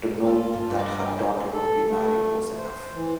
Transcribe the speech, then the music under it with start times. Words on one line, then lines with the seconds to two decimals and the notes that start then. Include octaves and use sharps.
To know that her daughter would be married was enough.
0.24 C4 C#4 F4 A4
0.53 G2 F4
0.77 G4 B4 D5 D#5
1.05 F3 G3 G5
1.53 A4
1.87 A3
2.57 C5
2.94 E3